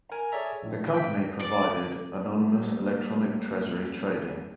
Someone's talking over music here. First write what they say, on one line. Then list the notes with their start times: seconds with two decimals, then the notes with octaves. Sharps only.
The company provided anonymous electronic Treasury trading.
0.12 A#4 G#5
0.32 G#4 A4 C#5 D5 E5 A#5
0.63 A#1 A2
0.94 G5 B6
1.41 D5
2.07 G3 A#3